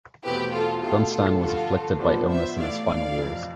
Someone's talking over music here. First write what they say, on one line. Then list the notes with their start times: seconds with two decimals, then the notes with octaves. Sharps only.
Dunstan was afflicted by illness in his final years.
0.22 E2 B2 A3 C4 E4 G4 B4
0.52 F4 A4
0.81 B2 A3 E4 F4 G4 A4
1.10 F4 A4
1.40 G2 D3 F3 F4 A4
1.98 A2 F3 B3 D4 F4 A4 C5
2.28 C5 E5
2.57 A2 E3 A3 D5 F5
2.86 D5 F5
3.16 F2 C3 E3